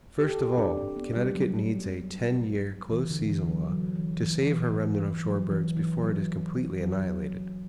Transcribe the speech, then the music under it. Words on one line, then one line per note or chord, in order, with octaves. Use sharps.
First of all, Connecticut needs a ten-year close season law to save her remnant of shore birds before it is completely annihilated.
G4
A4
G4
D4
C4
B3
G3
F#3
E3
D3
D3
E3
F#3
F#3
E3
E3
E3
E3
F#3
E3
E3
F#3
F#3